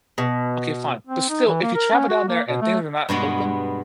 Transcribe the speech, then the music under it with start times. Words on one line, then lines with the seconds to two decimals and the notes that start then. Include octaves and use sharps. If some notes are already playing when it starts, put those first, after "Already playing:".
Okay, fine, but still, if you travel down there and things are not open,
0.18 B2
1.07 C4
1.30 D#4
1.47 E3
1.63 A#3
1.75 A#4
1.93 C#4
2.09 F#4
2.28 A#3
2.49 B2
2.62 A3
3.09 G2 B2 G#3 B3